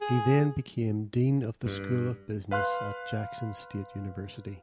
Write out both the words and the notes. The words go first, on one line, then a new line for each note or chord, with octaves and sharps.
He then became dean of the school of business at Jackson State University.
G#4
G2
B4 F5 C6 F#6